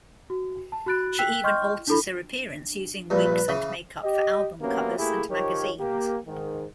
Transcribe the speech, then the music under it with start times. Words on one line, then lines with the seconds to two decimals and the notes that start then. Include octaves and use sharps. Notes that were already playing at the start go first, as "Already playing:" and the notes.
She even alters her appearance using wigs and make-up for album covers and magazines.
0.30 F#4
0.72 A5
0.86 F#4 B5 F#6 A6 D7
1.18 G5 E6 F#6 B6
1.44 D#5 G5 C6 C#6 F6 G6
1.87 D4 E4 A4 B5
3.10 A#1 G2 B4
3.48 C#3 E3
4.03 G4 D#5
4.61 C3 F#3 A#3 B3 C#4
4.98 A3 A#3 E4 G4 G#4
5.30 D#3 F3 G4 A#4 C#5
5.78 A#3 G4
6.26 G#2 D#3